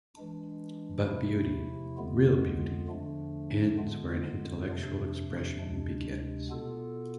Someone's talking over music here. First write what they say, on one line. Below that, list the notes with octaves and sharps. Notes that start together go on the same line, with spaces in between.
But beauty, real beauty, ends where an intellectual expression begins.
E3 G#3 D4
E2 C3 F3 A3 E4
F2 D3 G#3 B3 F4
E2 D3 F3 A3 D4
D3 G#3 B3 F4
F2 C3 F3 A3 D4
D2 C3 G#3 D4
B2 B3 F4 A4